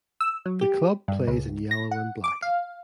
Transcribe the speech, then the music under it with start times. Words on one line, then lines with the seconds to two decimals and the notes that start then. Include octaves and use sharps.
The club plays in yellow and black.
0.21 E6
0.46 F#3
0.61 G4
1.08 G2
1.27 C#2
1.71 A#6
1.91 F#5
2.24 D6
2.42 F5